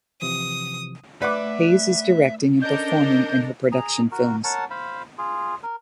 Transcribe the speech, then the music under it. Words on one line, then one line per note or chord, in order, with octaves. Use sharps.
Haze is directing and performing in her production films.
C3 E3 F3 D#6
A3 B4 D5 E5 F#5 D6
C#4 D4 A4 A#4 D#5 G6
G#4 A#5
F#4 A#4
A#4 C#5 F#5 A5
C5 F5 B5
F4 G#4
A#4